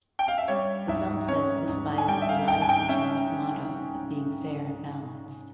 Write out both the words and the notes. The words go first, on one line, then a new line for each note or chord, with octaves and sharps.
The film says this bias belies the channel's motto of being "Fair and Balanced".
G5
F5
E5
G3 C#5
G#2 E5
C#4 C#5
G#2
G#5
G3 G5
E5
F5
G#2 G5
G#5
G5
C#4 E5